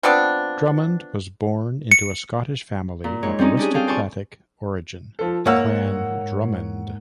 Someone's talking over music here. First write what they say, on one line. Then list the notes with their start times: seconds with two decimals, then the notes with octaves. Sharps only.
Drummond was born into a Scottish family of aristocratic origin, the Clan Drummond.
0.03 F3 B3 C4 D4
1.91 C#7
3.04 A#2
3.23 G#2 C#5
3.39 G3 C4 C#4 D#4
3.57 C#4 D4 G4 G#4
3.74 G#4 A4 F5 G5
3.87 F4 C5 D5 G#5 A5 C#6
5.19 F3 A4
5.46 G#2 A#3 C#5 F#5 E6